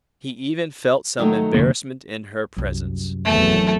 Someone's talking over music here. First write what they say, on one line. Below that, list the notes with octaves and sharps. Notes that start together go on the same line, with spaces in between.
He even felt some embarrassment in her presence.
D#3 F#3 A3
F1 D3 A#3
C2 F#2
G#1 E2 F#3 A3 A4